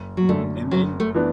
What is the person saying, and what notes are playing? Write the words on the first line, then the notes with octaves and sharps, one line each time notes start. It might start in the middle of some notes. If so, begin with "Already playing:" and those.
mhm, and then,
Already playing: F#1
F#3
F#2 D3 A3
F#1 F#3
A3
E3 B3 D4